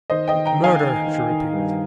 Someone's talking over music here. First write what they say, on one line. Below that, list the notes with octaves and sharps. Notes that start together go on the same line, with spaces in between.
"Murder!" she repeated.
D#3 C5 D#5
D#5 G5
D#3
G5 A#5
D#3
F5 G#5
D#3
D#3
D#3
G2